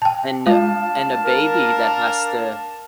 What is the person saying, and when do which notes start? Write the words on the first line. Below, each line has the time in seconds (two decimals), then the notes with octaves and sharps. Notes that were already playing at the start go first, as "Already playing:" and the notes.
And a and a baby that has to
0.02 G5 A5
0.46 G#3 D4 F4 F5 A5
1.25 A#4